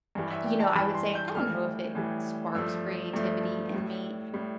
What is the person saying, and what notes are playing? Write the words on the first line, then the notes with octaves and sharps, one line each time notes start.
uh, you know, I would say, I don't know if it sparks creativity in me,
G2 E3 G3
E5
G5
A5
G2 E3 G3 B5
C6
G6
A2 E3 G3 F6
A2 E3 G3
G2 F3 A3 E6
G2 F3 A3
A2 G3
A2 G3